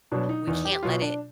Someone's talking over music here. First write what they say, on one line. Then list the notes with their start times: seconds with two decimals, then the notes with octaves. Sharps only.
we can't let it
0.12 B2 F#3 D4
0.29 D#4
0.47 E2 D#4
0.65 G4
0.83 B2 F#3 F4
1.02 D4